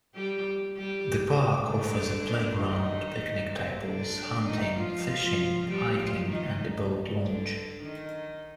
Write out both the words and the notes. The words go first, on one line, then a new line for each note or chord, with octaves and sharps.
The park offers a playground, picnic tables, hunting, fishing, hiking and a boat launch.
G3 G4
G3 G4
D3 D4
D#3 D#4
C3 C4
D3 D4
D#3 D#4
F3 F4
F3 F4
G3 G4
F3 F4
D#3 D#4
D3 D4
D#3 D#4